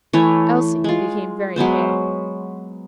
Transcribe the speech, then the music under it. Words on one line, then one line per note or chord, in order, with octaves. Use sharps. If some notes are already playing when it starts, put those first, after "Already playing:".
Elsie became very pale.
E3 A3 C#5
G#3 F4
F#3 G#3 B3 C5